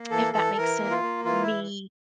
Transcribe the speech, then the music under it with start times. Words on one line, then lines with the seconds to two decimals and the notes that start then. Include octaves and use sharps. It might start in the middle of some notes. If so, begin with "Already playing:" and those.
if that makes sense. Me,
Already playing: A#3
0.11 E3 A4
0.33 E3 A4
0.57 E3 A#4
0.79 A#3
0.91 F4
1.02 A#3
1.25 E3 F4
1.42 E4
1.49 E3